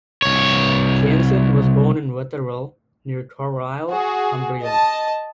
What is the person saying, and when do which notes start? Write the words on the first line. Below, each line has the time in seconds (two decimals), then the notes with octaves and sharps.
Jansen was born in Wetheral, near Carlisle, Cumbria.
0.22 C2 C#5
3.89 F#4 G#4
4.63 D#5 A5